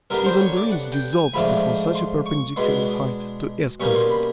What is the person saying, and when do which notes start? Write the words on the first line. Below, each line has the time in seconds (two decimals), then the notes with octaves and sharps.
Even dreams dissolved before such a perpendicular height to escalade.
0.10 D3 G3 B3 D4 A#4
0.26 C5
0.41 C#5
0.57 D5
0.72 F#5
0.93 G5
1.13 G#5
1.34 G#2 F3 A3 D4 B5
1.95 C6
2.26 C#6
2.56 B2 G#3 B3 D4 C6
3.80 B2 G3 A#3 C#4 C#6
3.95 C6
4.10 B5